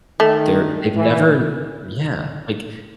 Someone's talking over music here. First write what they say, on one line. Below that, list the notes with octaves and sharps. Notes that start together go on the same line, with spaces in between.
they're they've never Yeah, like,
D#3 A3
E3